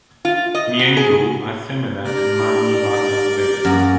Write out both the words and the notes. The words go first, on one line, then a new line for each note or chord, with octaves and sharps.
Miengu are similar to Mami Wata spirits.
F4
D#5
F#4
G#4
D4 G4 A#4 D5
F#2 A#3